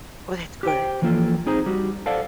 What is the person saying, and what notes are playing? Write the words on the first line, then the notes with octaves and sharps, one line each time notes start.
Oh, that's good.
G4 C5 G5
E3 F3 A#3 F4 A4
C4 D#4 G#4 C5 A#5
G3 F#4
A4 C5 D5 F5 F#5 A5